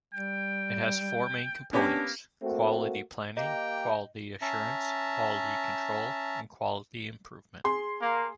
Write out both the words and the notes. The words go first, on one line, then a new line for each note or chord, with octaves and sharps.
It has four main components: quality planning, quality assurance, quality control and quality improvement.
G3 G5
A#3 B3 C#4 D4 G4
A3 A#3 C4 F#4
A#3 G4 D#5 G5 A#5
C#4 E5 A5 A#5
G#4 C6
A#3